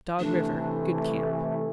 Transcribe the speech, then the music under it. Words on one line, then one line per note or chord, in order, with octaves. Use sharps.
Dog River.--Good camp.
C3 E3 A3 D4